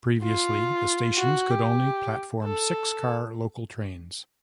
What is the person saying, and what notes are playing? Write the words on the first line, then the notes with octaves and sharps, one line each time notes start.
Previously the stations could only platform six car local trains.
F4
F#4
G4
A4